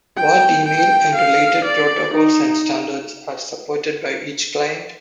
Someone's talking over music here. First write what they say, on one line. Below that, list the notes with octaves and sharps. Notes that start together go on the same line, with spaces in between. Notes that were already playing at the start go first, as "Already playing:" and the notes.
What email and related protocols and standards are supported by each client.
G5
G5
F5
D5
D#4